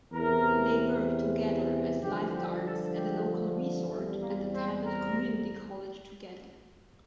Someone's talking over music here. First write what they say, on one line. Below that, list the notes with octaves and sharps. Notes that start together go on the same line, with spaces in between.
They worked together as lifeguards at a local resort and attended community college together.
E2 C3 E3 A#4
G2 D3 F3 G4
G4
A4
G4
E2 C3 G3 A3
A#3
C4
A#4